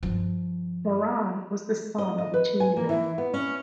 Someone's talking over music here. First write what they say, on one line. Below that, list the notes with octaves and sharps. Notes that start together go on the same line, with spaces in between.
Moran was the son of a chimney maker.
G2 F3
D#5
D#5
B4
G#5
A#3
E3
B3
C#4